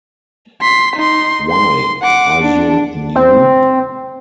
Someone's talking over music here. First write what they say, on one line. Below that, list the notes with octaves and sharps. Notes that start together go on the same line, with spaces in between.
Why, are you new?
C6 B6
D#4 C6
C6
F#5 D6
D4
C4